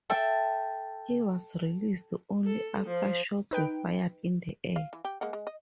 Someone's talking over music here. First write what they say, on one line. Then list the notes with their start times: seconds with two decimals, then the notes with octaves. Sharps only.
He was released only after shots were fired in the air.
0.10 A4 E5 G5
2.46 A4
2.86 F3
3.51 D#4 B4 G5 D7
4.76 F5
4.93 E3
5.05 G4
5.21 G#3 A#3 F#5
5.33 G#3
5.47 D#5